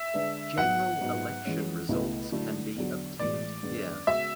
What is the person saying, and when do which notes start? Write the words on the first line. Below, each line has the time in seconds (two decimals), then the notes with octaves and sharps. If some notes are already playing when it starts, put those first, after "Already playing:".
General election results can be obtained here.
Already playing: E5
0.14 D3 G#3 D4 G#4 B4
0.57 G#2 F#3 B3 F#5
1.01 G#2 F#3 B3
1.45 E3 G#3 C#4
1.89 C#2 B2 A3 E4 B4
2.32 D3 F#3 A3 E4
2.75 E2 D3 F#3
3.19 A2 E3 G#3 D5
3.63 F#2 D3 G#3 B3 D4
4.07 C#3 G#3 B3 F#4 E5